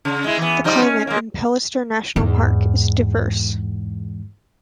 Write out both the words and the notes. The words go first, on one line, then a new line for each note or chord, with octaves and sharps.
The climate in Pelister National Park is diverse.
C#3
G#3 E4
E3 B3
F3 G3 D#4
C#4
G#3 A#3
E2 G#2